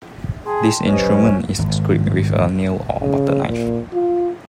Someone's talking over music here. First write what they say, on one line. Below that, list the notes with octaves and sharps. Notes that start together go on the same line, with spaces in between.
This instrument is scraped with a nail or butter knife.
G#4 G5 A5 C6
F#3 C#4 G4 B4 C5 D#5
G#1
C#3
A#2
F4